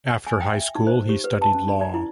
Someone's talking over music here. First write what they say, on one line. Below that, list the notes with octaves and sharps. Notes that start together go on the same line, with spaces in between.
After high school he studied law.
G#5
G5
E5
D#4
C5
G4
B4
A5
C#4
D4
D5
E4